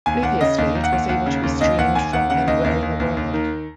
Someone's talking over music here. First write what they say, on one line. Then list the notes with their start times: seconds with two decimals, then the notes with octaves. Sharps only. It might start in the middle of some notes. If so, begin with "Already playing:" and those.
Previously it was able to be streamed from anywhere in the world.
0.06 D#2 G#5
0.22 D#2 F#5
0.41 C#3 D#5
0.58 D#2 D#5
0.75 D#2
0.84 F#5
0.92 D#2
1.09 D#2 F#5
1.26 C#3
1.43 D#2
1.61 D#2 D#5
1.78 D#2 F#5
1.95 D#2 G#5
2.13 D#2 F#5
2.30 C#3 F#5
2.47 D#2 D#5
2.64 D#2
2.82 D#2
3.00 D#2
3.17 D#2
3.34 D#3